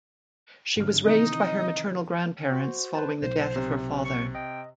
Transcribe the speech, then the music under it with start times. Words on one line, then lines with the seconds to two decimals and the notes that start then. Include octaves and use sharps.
She was raised by her maternal grandparents following the death of her father.
0.76 G#1 D3 F6
1.05 C3 D#3 E3 D#4 D#5
2.52 F#4 C5
2.95 B4 C5 A5
3.22 B1 C5
3.56 C3
4.05 C#6
4.35 D#5 G5